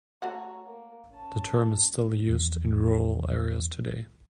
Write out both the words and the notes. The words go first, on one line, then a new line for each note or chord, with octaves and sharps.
The term is still used in rural areas today.
A3 F#4 C#5 F#5 A#5
A#3
C#4 A5
E2 F3